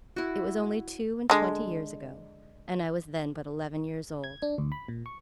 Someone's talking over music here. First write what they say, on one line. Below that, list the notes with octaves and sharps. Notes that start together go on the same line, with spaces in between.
It was only two-and-twenty years ago, and I was then but eleven years old.
E4 F#4
D3 G#3
G#6
D4
D2
B5
A#2
C#6